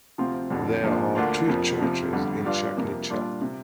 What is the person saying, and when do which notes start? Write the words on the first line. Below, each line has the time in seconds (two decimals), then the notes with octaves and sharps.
There are three churches in Cerknica.
0.18 D2 C3 F3 C4 F4
0.50 F1 F2 D3
0.83 A#1 A#2 F3 A#3 D4
1.15 D2 D3 A#3 D4 F4
1.48 F1 F2 F3 A#3 F4
1.80 F2 C3 F3
2.13 G1 F2 D3 G3
2.45 G2 G3 D4 F4
2.77 F2 C3 A#3
3.09 A#2 G3 D4 F4
3.41 C3